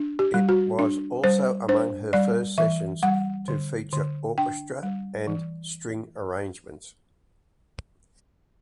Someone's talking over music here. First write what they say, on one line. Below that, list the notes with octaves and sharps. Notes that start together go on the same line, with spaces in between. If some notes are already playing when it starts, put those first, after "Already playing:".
It was also among her first sessions to feature orchestra and string arrangements.
Already playing: D4
G4
G3
F#4
D4
G3 C5
D4 C5
G3 D5
E3 E5
G3 F#5
D3
D3
D4 G5
G3
E3